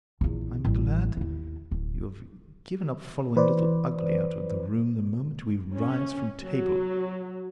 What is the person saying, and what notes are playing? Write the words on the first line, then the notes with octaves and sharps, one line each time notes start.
I am glad you have given up following Little Ugly out of the room the moment we rise from table.
A#1 E2
A1 G3
D#2 E4
D1
E3 B4 C5 D5
C#4
F#3